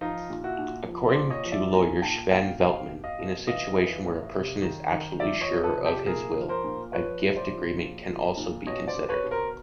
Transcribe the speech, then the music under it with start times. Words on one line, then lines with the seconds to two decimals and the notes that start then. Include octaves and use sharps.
According to lawyer Sven Veltmann, in a situation where a person is absolutely sure of his will, a gift agreement can also be considered.
0.01 F3 D#4 F4
0.30 A#2
0.44 E4 F#4
0.59 A#2
0.88 F3
1.09 C5 D5
1.16 A#2
1.30 C#5 D#5
1.45 F3
1.52 D5 E5
1.74 A#2 G#5 A#5
2.02 A#2 G5 A5
2.31 A#2 F5 G5
2.60 B2 F5 G5
2.90 B2
3.04 D#5 F5
3.19 B2
3.47 E3 D#5 F5
3.76 E3
4.05 A2
4.34 C3
4.62 D#3
4.92 D#3
5.20 F3 D5 E5
5.41 C#5 D#5
5.49 F3
5.63 A4 B4
5.77 C3
5.85 G4 A4
6.06 A#2 G#4 A#4
6.35 F3
6.49 A#4 C5
6.64 A#2
6.93 F3 B4 C#5
7.22 A2
7.36 C5 D5
7.51 F3
7.80 A#2
8.08 F3
8.37 A#2
8.66 B2 C#5 D#5
8.88 C5 D5
8.95 B2
9.09 B4 C#5
9.24 B2
9.31 A#4 C5